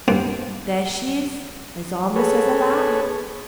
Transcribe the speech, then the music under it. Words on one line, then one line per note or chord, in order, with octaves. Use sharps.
There she is as harmless as a lamb.
G2 B2 A#3 C4
G#4 A4 B4 C#5